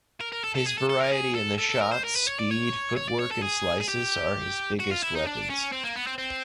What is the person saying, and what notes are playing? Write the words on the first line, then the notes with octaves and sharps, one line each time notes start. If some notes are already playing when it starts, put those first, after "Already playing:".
His variety in the shots, speed, footwork, and slices, are his biggest weapons.
A#4
A#4
A4
A4
G#4
A4
A4
A#4
G#4
A4
A4
A4
A#4
C5
A#4
B4
C#5
D5
C#5
C#5
D5
C#5
A4
G#4
G#4
G4
F#4
F4
E4
D#4
D4
C#4
C4
A#3
B3
C4
C4